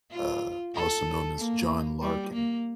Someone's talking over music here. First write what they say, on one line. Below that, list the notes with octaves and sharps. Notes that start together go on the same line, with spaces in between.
uh, also known as John Larkin.
F4
A4
A#3
G3
A#3